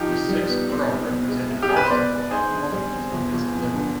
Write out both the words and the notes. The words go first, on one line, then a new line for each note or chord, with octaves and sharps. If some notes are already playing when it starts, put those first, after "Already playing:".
The sixth Earl represented Barnstaple in Parliament as a Liberal.
Already playing: F3 D#4 F4 G4
C3
G3
B3
C4
C2
B2
G#3
C2
G4
C2 G#4
B4
C5
B2 B4 D5
B3
D#4 G#4 C5
D3
G3
C4
G1
G1
F2
D3